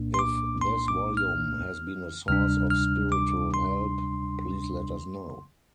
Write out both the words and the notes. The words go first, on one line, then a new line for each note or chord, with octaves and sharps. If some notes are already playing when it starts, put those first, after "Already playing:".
If this volume has been a source of spiritual help, please let us know.
Already playing: C2 A#2 A#3 D4
C6
D6
C6
D6
F6
D2 C3 G3 D4 F6
F6
D6
C6